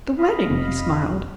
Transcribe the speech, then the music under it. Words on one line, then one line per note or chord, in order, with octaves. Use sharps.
"The wedding," he smiled.
D#5 F5 B5
F1 C3